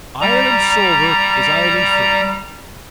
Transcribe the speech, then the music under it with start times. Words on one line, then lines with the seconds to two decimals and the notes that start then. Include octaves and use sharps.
Ireland sober is Ireland free.
0.21 G3 A#5